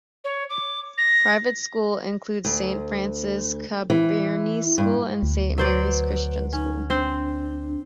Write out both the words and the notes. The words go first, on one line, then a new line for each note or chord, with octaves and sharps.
Private schools include, Saint Frances Cabrini School and Saint Mary's Christian School.
C#5
D6
A#6
D2
E3
G2
D2
F#3 B4 C5 D5
C#4 D#4
C4 D4 C5